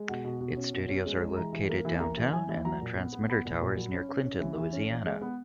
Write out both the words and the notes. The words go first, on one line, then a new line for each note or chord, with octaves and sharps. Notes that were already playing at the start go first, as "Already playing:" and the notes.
Its studios are located downtown and the transmitter tower is near Clinton, Louisiana.
Already playing: G#3
B2 F#5
B2
B2
C#4
B2
C#4
G#3
G#3
E3 A#5
E3
A#3
E3
A#3 A#5
E3
E3 G#5
E3
F#3 A#5
A#2
B3
B3
B3 B5
A#2
A#2
F#3
C#4
C#4
C#4
E3
E3
C#4
E3
G#3
B3